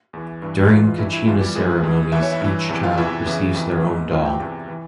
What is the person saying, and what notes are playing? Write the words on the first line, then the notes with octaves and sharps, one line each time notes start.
During Kachina ceremonies, each child receives their own doll.
E2 E3
G2 E3
G#2 E3 F4
F4
G2 E3 E4
E4
E2 E3 F4
G3 G4
G#2 E3 G#3 G#4
F2 E3
E2 E3 E5
C#5
E4 E5
G2 E3
E2 C3 E3
F4 F5
E2 C3 E3 E4 E5
E2 C#3 E3
F2 C3 E3
G#2 E3
G2 E3 F4 F5
G4 G5
E2 C3 E3
E3